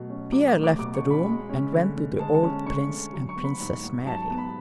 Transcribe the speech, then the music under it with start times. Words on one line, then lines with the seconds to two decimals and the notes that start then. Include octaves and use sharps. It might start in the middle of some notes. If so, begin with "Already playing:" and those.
Pierre left the room and went to the old prince and Princess Mary.
Already playing: B2 F#3 A3
0.09 C#4
0.32 F#3 D6
0.48 D6
0.56 A3
0.63 D6
0.79 B2 D6
0.95 C#6
1.03 C#4
1.10 B5
1.26 G#3
1.49 C#4
1.72 D3
1.96 D3
2.19 G#3 A5
2.35 A5
2.43 C#4
2.66 D3 C#6
2.89 D3
3.13 F#3
3.29 C#6
3.37 B3
3.44 B5
3.60 G#2
3.84 G#2
4.07 F#3 A5
4.22 A5
4.30 B3
4.38 B5